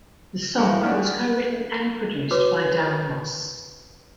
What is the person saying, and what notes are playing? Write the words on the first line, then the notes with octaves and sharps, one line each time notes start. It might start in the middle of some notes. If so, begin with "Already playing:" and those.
The song was co-written and produced by Darren Moss.
A2 G3 F5
D#3 C#4 D4 F#5 F6
F#4 B4 C#5 D6